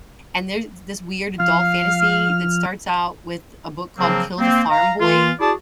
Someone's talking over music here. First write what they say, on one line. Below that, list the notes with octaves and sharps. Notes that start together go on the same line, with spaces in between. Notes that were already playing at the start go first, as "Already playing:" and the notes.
and there's this weird adult fantasy that starts out with a book called Kill the Farm Boy,
F3 F5 F6
C#3 F3 F#3 A#3 C4
A#3 C4
F5 A#5
E3 F4
E4 F#4 G#4 D5 A5